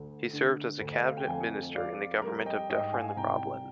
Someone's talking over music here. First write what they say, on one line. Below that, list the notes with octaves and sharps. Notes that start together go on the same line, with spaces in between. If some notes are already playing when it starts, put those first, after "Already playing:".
He served as a cabinet minister in the government of Dufferin Roblin.
Already playing: D2 D3
D3
D2
D#5
F5
G5
F2 F5 G#5
F2 D5 F5
G3 A#4
D#5 G5
G#2 D#5 G5
F5 G#5
G#5
C2 G5 A#5